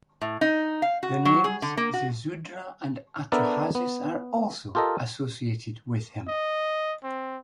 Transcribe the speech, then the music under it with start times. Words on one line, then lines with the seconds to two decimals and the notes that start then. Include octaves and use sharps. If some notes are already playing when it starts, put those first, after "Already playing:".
The names Ziusudra and Atrahasis are also associated with him.
0.21 A2
0.41 D#4
0.82 F5
1.03 F#4
1.25 F#3
1.44 G#4
1.62 D3
1.77 A#3
1.94 F#4
3.32 B3 D4 A4 A#4 D5 E5
3.75 B3
4.75 F4 G4 A4 A#4 D#5
6.28 D#5
7.04 C4